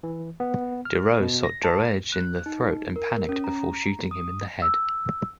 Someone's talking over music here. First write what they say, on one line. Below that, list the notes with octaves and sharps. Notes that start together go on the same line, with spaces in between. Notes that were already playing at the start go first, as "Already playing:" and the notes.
Deroux shot Droege in the throat, and panicked before shooting him in the head.
E3
B3
F6
B2
A#6
A5
F#6
D#4
A#4
C#4
A#5
D#6
E6